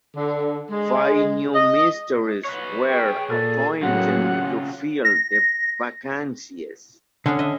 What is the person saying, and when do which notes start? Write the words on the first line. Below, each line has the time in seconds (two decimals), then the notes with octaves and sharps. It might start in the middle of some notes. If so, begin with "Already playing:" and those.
Five new ministers were appointed to fill the vacancies.
0.16 D3
0.71 G#3
1.55 D#5
2.44 B4 C#5
2.89 G#4 G5
3.30 A#2 A4
3.82 A2 C#3 F#3 A#3 C4 G#4 F#5
4.18 F4
5.05 A#6
7.26 D3 C#4 D4 G#4
7.39 D#5 E5